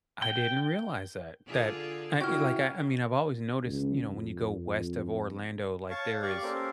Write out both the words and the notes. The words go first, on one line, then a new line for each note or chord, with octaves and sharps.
I didn't realize that, that I, like, I I mean, I've always noticed, you know, when you go west of Orlando, like, there is,
G5
D3 F4 G#4
C#3 E4 F#4 G5 F6
C#2
F2
C#5 F5 A5 C#6
G4 D5 F5 C#6
A#3 C#4 G4 A4 A#4 C5